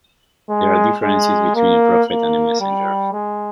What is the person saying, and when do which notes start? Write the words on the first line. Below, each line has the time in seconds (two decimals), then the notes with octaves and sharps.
There are differences between a prophet and a messenger.
0.50 G#3
1.03 G#3
1.55 A#3
2.09 A#3
2.60 G3
3.13 G#3